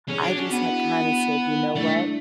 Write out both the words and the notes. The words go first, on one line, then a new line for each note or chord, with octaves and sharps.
I just had kinda said, "You know what"
C#4 G#4
D4 F#4
C#4
B3 D4
E4
E4
A3 D4